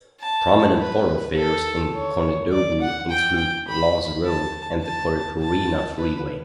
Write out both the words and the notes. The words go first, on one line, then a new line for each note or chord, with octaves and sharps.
Prominent thoroughfares in Konedobu include Lawes Road and the Poreporena Freeway.
A5
B4
A4
C#5
D5
F#5
G5
G5
B5
A5
A5
A5
B4